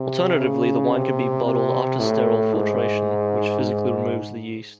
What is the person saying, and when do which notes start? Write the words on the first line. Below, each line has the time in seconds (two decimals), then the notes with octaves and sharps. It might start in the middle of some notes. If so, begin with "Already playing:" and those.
Alternatively the wine can be bottled after sterile filtration, which physically removes the yeast.
Already playing: C3
0.38 C#3
0.92 C3
1.45 C3
1.99 A2
2.53 G#2
3.60 G#2